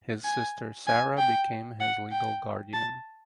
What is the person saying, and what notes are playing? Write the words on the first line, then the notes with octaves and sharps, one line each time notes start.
His sister Sarah became his legal guardian.
G#5
G#5
G5
F#5
G5
A5